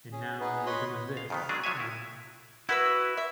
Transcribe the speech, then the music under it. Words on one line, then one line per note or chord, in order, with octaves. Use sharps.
and now you're doing this." Um,
C#4 G#4
B3 D#4 G#4 B4
B4 C#5 D#5 B5 C6
F5
F2 D#3 B3
F#3 G#3 C#4 D4 G#4
F3 F#3 C#5 E5 G#5
E4 F#4
E4 F#4 B4 E6
E5